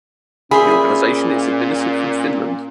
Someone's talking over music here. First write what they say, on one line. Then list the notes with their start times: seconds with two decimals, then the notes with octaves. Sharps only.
The organization is administered from Finland.
0.51 A#2 C#4 G#4 C5 E5 B5